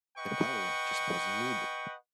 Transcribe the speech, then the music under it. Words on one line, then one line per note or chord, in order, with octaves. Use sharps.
The power just wasn't needed.
B4 D#5 F#5 G5 C#6